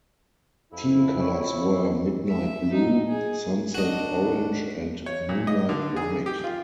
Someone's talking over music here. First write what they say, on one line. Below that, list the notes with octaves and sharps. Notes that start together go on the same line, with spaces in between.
Team colors were Midnight Blue, Sunset Orange, and Moonlight White.
F2 E4
C#5
E5
D#4
G#4
D#2 D4 F#4 D#5
C#5
A#2
D#5
D3
G#4
G4
F4